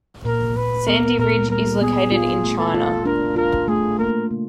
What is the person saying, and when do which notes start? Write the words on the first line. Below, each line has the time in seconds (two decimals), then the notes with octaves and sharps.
Sandy Ridge is located in China.
0.25 A#2 A#4
0.56 A#2 B4
0.87 B3 A#4
1.19 A#2 A#4
1.49 G3 A#4
1.81 B3 G#4
2.12 F4 G#4
2.44 A3
2.59 A4
2.74 F4
3.05 D4 A#4
3.36 F4 A#4
3.68 A3 G#4
3.98 A#3 A#4
4.31 C#3